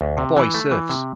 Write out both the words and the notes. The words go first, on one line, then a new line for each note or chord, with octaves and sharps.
A boy surfs.
D2
C3
E3
A3
E3
C3